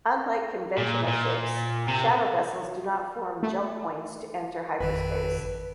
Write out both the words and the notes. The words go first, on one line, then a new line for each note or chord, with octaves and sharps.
Unlike conventional ships, Shadow vessels do not form "Jump Points" to enter Hyperspace.
A#2
A#2
C3
A3
G#1 F2 D#3 B4